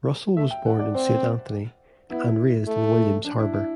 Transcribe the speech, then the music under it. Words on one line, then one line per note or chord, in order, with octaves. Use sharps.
Russell was born in Saint Anthony and raised in William's Harbour.
A3 E5
G5
A3 F#5
D5
C4 C5
B3 E4
A3
D4
E4
E4